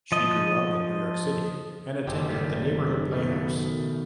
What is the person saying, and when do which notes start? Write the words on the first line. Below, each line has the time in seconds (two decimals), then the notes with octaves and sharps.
She grew up in New York City and attended the Neighborhood Playhouse.
0.12 F3 D#5
2.07 F#1 G4
2.29 D#3 G3
3.13 B2 D#3 A3